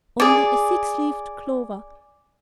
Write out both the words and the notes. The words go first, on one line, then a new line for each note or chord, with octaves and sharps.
Only a six-leaved clover!
G#4 D5